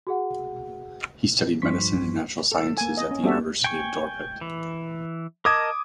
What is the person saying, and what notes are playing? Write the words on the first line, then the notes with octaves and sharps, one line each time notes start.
He studied medicine and natural sciences at the University of Dorpat.
F#4 G#4 F#5
G2 F3 C6 C#6 B6
A4
A#3 G#5
D#5
C#4
G3 C4 D4 F#4 A4 E5
G5 G#5 C#6
E3
A#4 D#5 A5 D6 D#6 G#6